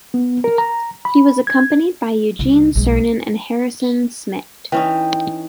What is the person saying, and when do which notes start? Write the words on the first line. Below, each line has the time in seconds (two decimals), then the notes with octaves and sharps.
He was accompanied by Eugene Cernan and Harrison Schmitt.
0.14 B3
0.44 A#4
0.58 A#5
1.05 B5
1.47 G#6
2.39 C2
2.75 B1 G#3
4.72 E3 C#4 D#4 G5